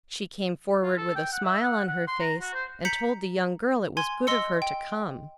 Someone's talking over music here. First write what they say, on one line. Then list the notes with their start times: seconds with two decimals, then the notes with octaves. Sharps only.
She came forward with a smile on her face, and told the young girl it was good of her to come.
0.83 F4
0.97 A4
1.15 G5
1.32 F#5
1.45 E5
1.62 F#5
1.87 F#5
2.07 C6
2.20 A#5
2.41 F#4
2.54 C5
2.85 A#5 G6 B6 C#7 F#7
3.97 G#5 C6 G#6
4.27 D#5 C6 E6 C#7
4.62 G5